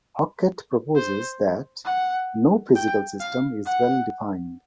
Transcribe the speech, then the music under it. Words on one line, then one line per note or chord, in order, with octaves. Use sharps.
Hockett proposes that "no physical system is well-defined".
C5
F#5
G5
F5
F#5